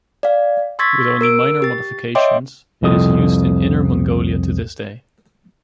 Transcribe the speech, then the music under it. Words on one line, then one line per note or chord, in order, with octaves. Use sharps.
With only minor modifications, it is used in Inner Mongolia to this day.
D5 F5
C6 C#6 E6 G#6 A6 B6
A#4 E6 D7
G4 A6
C#5 D#5 E5 G5 C6 D6
C2 F2 D#6